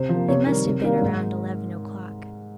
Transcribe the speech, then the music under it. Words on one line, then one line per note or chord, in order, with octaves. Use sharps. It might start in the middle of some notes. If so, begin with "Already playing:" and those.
It must have been around eleven o'clock.
Already playing: C3 C5
F3 A#3
C3 C#5
D#3 G3 A#4
C3
D#3 G3 A#3
G#2